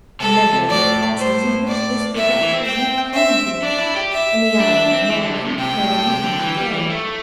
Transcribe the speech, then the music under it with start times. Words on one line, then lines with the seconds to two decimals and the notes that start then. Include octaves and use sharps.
Never a day passes in which this regret does not come to me, in the hour of morning or of evening prayer.
0.20 C3 A4
0.53 C3
0.69 A2 D5
1.18 C5
1.67 D5
2.16 A2 E5
2.28 C3
2.41 E3
2.52 C4
2.64 G5
3.13 E5
3.62 D4 D5
3.79 E4
3.96 G4
4.12 E5
4.60 D4
4.77 D4
4.93 C4
5.10 E3
5.23 D3
5.35 C3
5.46 A2
5.58 C3 G5
5.75 A2
5.92 A2
6.08 C3
6.24 D3
6.40 E3
6.57 G3
6.72 E3
6.90 A3